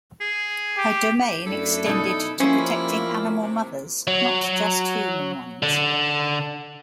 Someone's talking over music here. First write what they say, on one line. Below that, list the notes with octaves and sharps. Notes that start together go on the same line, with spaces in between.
Her domain extended to protecting animal mothers, not just human ones.
G#4
G4
F#2 A3 D4 E4 A4
B2 D#4
F3 G3 A#3 C#4 E4 C5
C3
F#3
D3